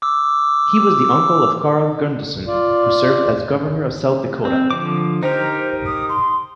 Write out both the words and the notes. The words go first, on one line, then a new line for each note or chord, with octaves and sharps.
He was the uncle of Carl Gunderson who served as Governor of South Dakota.
D6 E6
F4 D5
C4
D3 F3 D6
D#4 G4 A#4 C5
D#6
C6